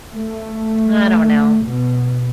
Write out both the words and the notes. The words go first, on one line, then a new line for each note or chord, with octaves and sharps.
I don't know.
A3
B2